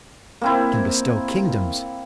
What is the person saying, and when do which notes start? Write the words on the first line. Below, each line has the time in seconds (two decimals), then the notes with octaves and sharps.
I can bestow kingdoms.
0.41 A#3 C4 E4